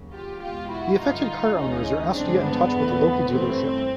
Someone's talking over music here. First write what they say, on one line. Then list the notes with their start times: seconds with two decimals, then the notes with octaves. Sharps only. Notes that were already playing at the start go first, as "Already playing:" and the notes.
The affected car owners are asked to get in touch with a local dealership.
Already playing: D#2 C#3 F#3
0.13 F4 G4
0.41 E2 B2 G#3 F4 G4
0.70 E4 F#4
0.99 G2 D3 F3 D#4 F4
1.56 D2 C#3 E3 G#3 C#4 D#4
2.14 G2 D3 F3 G#3 C4 D4
2.43 B3
2.72 E2 C#3 E3 A3
3.29 G2 E3 A3 C4